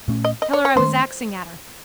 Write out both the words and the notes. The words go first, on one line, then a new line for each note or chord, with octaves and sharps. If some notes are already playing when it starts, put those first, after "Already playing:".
Tell her I was axing at her.
A#2 A3 C#4
D#5
D#5
C#5
C#5
D#3 A3 C#4 C5